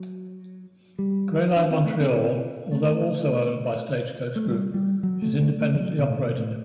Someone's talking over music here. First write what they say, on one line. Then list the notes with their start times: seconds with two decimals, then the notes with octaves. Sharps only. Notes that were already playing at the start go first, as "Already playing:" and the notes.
Gray Line Montreal, although also owned by Stagecoach Group, is independently operated.
Already playing: F#3
0.99 G3
1.56 D4
1.71 C4
1.85 A3
2.00 C4
2.15 C4
2.72 A3
4.36 A3
4.45 G3
4.74 G3
5.03 F#3
5.22 A3
5.42 A3
5.61 A3
5.75 E3
5.80 F#3
5.99 B2
6.10 A2
6.19 B2
6.37 A2